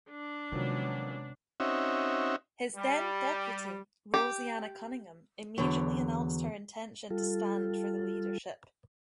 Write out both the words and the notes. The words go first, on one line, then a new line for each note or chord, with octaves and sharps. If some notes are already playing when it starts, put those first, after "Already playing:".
His then-depute, Roseanna Cunningham, immediately announced her intention to stand for the leadership.
D4
C3 D#3 F3 F#3 G#3 B3 C#4
C4 C#4 D#4 F#4 E5
G3
G4
E2 D3 F#3
G3 F4 A4